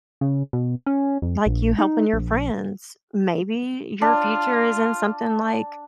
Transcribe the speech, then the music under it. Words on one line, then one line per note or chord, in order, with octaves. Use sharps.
like you helping your friends, maybe your future is in something like
C#3
B2
C#4
F2
A#1
D#4
A#1
D4 F4